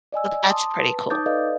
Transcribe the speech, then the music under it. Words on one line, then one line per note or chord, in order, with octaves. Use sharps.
So, that's pretty cool.
D5 D#5 G#5 E6
A5 C6 D6 D#6
B4 A5
D#4 C#5 D6 D#6 G6 A6
A4 B4 D5 D#5 F5